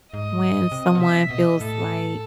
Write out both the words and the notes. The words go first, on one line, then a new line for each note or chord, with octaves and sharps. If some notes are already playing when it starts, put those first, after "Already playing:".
when someone feels like
G#2 D#5
C3
B2
C3 E5
A#2
B2 D#5
A2 A4